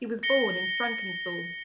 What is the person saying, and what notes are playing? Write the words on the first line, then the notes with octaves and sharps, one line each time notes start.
He was born in Frankenthal.
A#6 C#7 G7